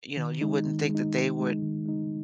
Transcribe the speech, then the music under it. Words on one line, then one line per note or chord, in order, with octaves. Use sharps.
you know, you wouldn't think that they would
D#3
G#3 D#4
D#3
G#3
D#4
D#3
G#3 D#4
D#3
G#3 D#4